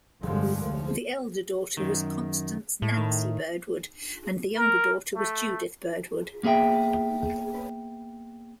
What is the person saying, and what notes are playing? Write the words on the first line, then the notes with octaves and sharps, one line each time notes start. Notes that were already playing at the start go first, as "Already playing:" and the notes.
The elder daughter was Constance 'Nancy' Birdwood, and the younger daughter was Judith Birdwood.
F1 G2 D3 F3 G3 G#3
D2 F3
F#2 D#3
A2
D#3
A#4
A3
A#3 B3 G#4 E5 G5